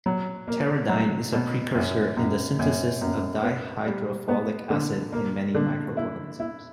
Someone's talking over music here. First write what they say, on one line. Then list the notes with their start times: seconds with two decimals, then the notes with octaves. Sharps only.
Pteridine is a precursor in the synthesis of dihydrofolic acid in many microorganisms.
0.06 F#3
0.48 A#3
0.89 F#3
1.33 B2
1.75 F#2
2.17 F#2
2.59 F#2
3.01 F#2
3.43 B3
3.86 G3
4.28 B3
4.70 D3
5.12 A#3
5.55 D3
5.97 E4
6.40 E4